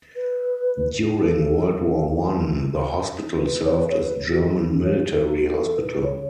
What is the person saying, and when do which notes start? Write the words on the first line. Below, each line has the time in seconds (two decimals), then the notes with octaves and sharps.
During World War One, the Hospital served as German military hospital.
0.16 B4
1.22 A4
3.37 B4
3.50 B4
3.64 C#5
3.77 B4
3.90 C#5
4.04 B4
4.30 F#4
4.43 E4
4.57 B3
4.71 C#4
4.84 C#5
5.11 A4
5.25 F#4
5.38 F#4
5.52 A4
5.65 A4
5.77 B4
5.91 B4
6.04 C#5